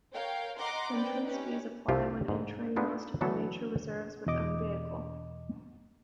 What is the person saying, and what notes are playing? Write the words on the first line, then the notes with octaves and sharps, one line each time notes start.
Entrance fees apply when entering most of the nature reserves with own vehicle.
A#4 C#5 F5 G5
D#5 F#5 A#5 C6 D6
C4 B4 D5 G5
C#4 D#4 G4 B4
C2 C3 F4 G4 F5
G#2
G#3 B3 D4 D#4 F4
D3 E3 F#3 A3 B3 A4
E2 B2 D#5 D6